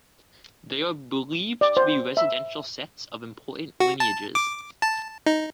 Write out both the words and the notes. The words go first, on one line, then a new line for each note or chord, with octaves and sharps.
They are believed to be residential sets of important lineages.
D5
C5
E5
F#4
A5
D6
A5
D#4